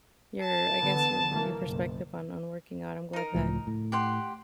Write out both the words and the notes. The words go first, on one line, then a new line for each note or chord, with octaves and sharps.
your, I guess, your your perspective on on working out, I'm glad that
A5
D3 E3 B3
E3 F#3 A#3
F#1 B1
D#4 A#4
C#2 A2 F3
A2
G4 F#5 C6